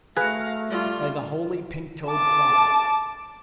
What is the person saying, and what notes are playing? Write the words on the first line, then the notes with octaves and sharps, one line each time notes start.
By the Holy Pink-toed Prophet!
A3 F#4 G#4 B4 F5 A#5 F#6
G3 F4
A5 D6